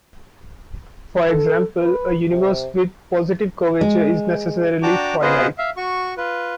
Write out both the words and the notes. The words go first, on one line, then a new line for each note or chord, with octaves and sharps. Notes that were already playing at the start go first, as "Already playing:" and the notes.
For example, a universe with positive curvature is necessarily finite.
A4
B4
C3
G#3
D4 F#4 G5 A5 A#5 D6
B3 F4 G#4 B4 C5 D#5
E5 F5
F#4 C#6
F4 B4